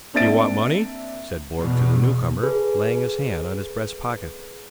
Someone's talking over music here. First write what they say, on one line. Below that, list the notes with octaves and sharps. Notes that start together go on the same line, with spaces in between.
"Do you want money?" said Borg to the newcomer, laying his hand on his breast-pocket.
A#3 C4 D4 E5 A6 D7
E2 B2
G#4 A4 B4